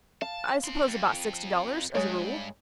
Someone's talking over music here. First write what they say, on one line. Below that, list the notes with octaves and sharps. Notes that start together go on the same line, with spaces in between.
"I suppose about sixty dollars, as a rule."
F5 A5
C#4 C6
F2
G2 G#3 C#5